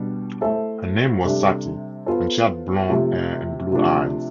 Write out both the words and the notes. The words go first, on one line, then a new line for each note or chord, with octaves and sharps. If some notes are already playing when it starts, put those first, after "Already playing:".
Her name was Sati, and she had blonde hair and blue eyes.
Already playing: B2 G3 D4
A3 E4 A4 C5 E5
C3 G3 D4 A4 E5
B3 F4 A4 C5
C3 F3 A3
C3 F3 A3 D4